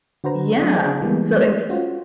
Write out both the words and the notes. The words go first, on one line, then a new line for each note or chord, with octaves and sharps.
yeah, so ins
D3 F#4 B4 C5 A#5
F#3 D4 C#6 D#6 F#6
G#4 C5 D5 D#5 G5 G#5
E3 G3 G#3 A#3 B3
C#4 F4 F#4 C5